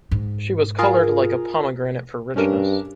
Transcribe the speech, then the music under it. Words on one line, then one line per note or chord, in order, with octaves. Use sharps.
She was coloured like a pomegranate for richness.
G#2
F4 G#4 A#4
G2 C#4 D4 A#4